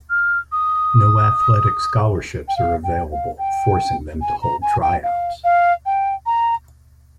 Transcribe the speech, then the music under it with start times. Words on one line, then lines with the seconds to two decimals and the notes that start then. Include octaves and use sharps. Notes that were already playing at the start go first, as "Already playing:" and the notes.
No athletic scholarships are available, forcing them to hold tryouts.
0.10 F6
0.52 D#6
2.48 G5
2.57 F5
2.84 G5
3.12 F5
3.38 G5
4.21 G#5
4.42 A#5
4.62 G#5
4.82 G5
5.03 F5
5.44 F5
5.86 G5
6.26 A#5